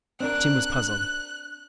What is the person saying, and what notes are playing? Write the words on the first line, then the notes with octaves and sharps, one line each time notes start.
Tim was puzzled.
C4 D4 A#4 F#6